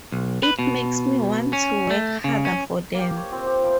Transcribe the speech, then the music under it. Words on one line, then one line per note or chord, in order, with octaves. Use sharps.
It makes me want to work harder for them.
B1
B4
B2
C#4
A3
C#3
C#4
A#3 G4
C#5
C4 F4
G4
F3 G3 E5